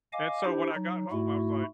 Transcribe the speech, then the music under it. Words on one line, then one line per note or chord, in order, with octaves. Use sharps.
and so when I got home, I was like
D#5 F5 G#5 D6
D4 E4 G4 C5
F#3 D#4
G#2 A3 E4 F#4